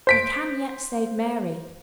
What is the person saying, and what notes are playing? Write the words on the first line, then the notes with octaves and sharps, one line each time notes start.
You can yet save Mary.
C5 B6 D7